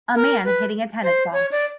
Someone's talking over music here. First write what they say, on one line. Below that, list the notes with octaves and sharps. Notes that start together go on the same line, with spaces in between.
A man hitting a tennis ball.
A#4
B4
C5
C#5
D5